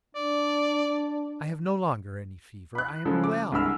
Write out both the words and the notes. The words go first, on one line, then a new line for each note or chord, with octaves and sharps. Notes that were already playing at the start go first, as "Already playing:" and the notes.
I have no longer any fever; I am well.
D4 D5
B5 F#6
C#3 F3 G#3 A4
D6
C2 D3 G#3 B5 E6 F6